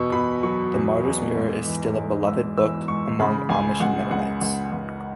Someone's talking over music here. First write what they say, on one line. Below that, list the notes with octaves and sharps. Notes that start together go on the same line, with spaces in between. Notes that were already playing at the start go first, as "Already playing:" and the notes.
The "Martyrs Mirror" is still a beloved book among Amish and Mennonites.
Already playing: E2 B2 C#6 E6
B2 B5
F#3 C#6
E2
E2
G#2
E3
G#2
G#2 E6
E3 E6
G#2 C#6
C#3 B5
C#2 G#5
C#2 F#5
C#2 F#5
C#2
C#2